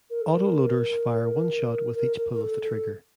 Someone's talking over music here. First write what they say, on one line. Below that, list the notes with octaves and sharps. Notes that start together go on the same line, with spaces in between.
Auto loaders fire one shot with each pull of the trigger.
A#4
A4
A#4
A#4
A#4
A#4
A4
A4